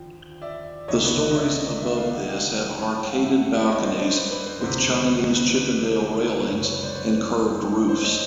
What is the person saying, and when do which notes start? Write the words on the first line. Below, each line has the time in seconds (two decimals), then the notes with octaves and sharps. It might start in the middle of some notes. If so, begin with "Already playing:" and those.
The storeys above this have arcaded balconies with Chinese Chippendale railings and curved roofs.
Already playing: D#2 D3 F3 G5
0.42 D5 E5
0.88 C#2 C3 D#3 C#5 D#5
1.04 B4 C#5
1.19 C#5 D#5
1.31 D#5
1.35 D5 E5
1.82 D5 E5
1.97 D#5 F5
2.13 E5 F#5
2.28 F5 G5
2.75 G#2 E3 G#3 C#4 F#5 G#5
2.87 G5 A5
2.98 G5 A5
3.10 F5 G5
3.22 E5 F#5
3.37 E5 F#5
3.53 D5 E5
3.68 C#5 D#5
3.84 C5 D5
3.99 C5 D5
4.15 B4
4.31 B4
4.46 C5
4.61 D2 C3 D#3 G#3 C5
5.08 B4
5.21 C5
5.34 B4
5.55 C5
6.48 F#2 C#3 F#3 B4 C#5
6.60 B4 C#5
6.71 B4 C#5
6.83 C5 D5
6.95 B4 C#5
7.89 C5
8.04 C#5 D#5